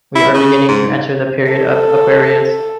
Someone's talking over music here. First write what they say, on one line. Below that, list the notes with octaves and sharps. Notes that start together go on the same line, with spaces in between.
We are beginning to enter the period of Aquarius.
E4
C#3
G#2
A4